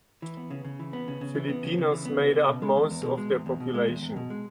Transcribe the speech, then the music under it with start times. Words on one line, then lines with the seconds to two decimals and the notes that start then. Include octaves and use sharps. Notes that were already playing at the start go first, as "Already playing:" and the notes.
Filipinos made up most of their population.
0.22 E3
0.37 B3
0.50 C#3
0.65 C#3
0.79 E3
0.93 B3
1.08 C#3
1.21 C#3
1.35 E3
1.49 B3
1.63 C#3
1.78 C#3
1.92 E3
2.05 B3
2.20 C#3
2.33 C#3
2.47 B2
2.62 G#3
2.76 E2
2.90 E2
3.03 B2
3.17 G#3
3.32 E2
3.46 E2
3.60 B2
3.74 G#3
3.88 E2
4.02 E2
4.16 B2
4.30 G#3